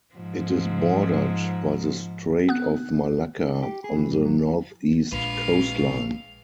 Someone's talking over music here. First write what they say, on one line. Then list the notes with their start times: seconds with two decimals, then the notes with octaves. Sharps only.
It is bordered by the Strait of Malacca on the northeast coastline.
0.15 G#2 F3
2.49 B3 F#6
3.62 G4
3.84 G#4
3.96 E3
4.11 G2
4.25 F#3
5.12 A#1 G#3 B4 F5